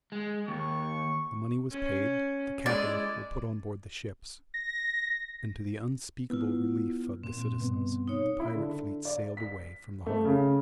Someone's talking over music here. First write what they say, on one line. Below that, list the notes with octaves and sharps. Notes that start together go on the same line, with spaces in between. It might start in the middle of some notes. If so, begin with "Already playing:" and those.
The money was paid, the cattle were put on board the ships, and to the unspeakable relief of the citizens, the pirate fleet sailed away from the harbor.
G#3
D#2 C#6
C#4
G#3 E4 D5
A#6
B3 E4 F4
A#2 C4
G2 B2 B3
D#4 C#5
E4
D3
D5
B6
A3
C#3